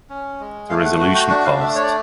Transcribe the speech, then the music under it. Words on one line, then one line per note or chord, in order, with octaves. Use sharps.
The resolution passed.
C#4
G#3
A3 F5
F#5
F#4 F#5
G5
D4 F#5
F5
A3 E5
C#5
D5